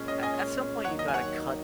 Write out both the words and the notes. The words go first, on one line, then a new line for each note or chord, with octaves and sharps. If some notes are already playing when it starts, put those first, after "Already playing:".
a at some point, you gotta cut
Already playing: A#2 G#3 C#4
D#5
D#5 G#5
D#2 D#3 F#3 A#3 D#4 C#5 F#5
D#5
G#5
C#5 F#5